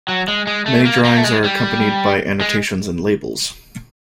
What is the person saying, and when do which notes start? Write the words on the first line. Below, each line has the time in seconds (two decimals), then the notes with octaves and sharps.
Many drawings are accompanied by annotations and labels.
0.08 F#3
0.28 G#3
0.47 G#3
0.66 A3
0.85 A#3
1.05 A#3
1.17 A3
1.24 G#3
1.44 G3
2.41 G#3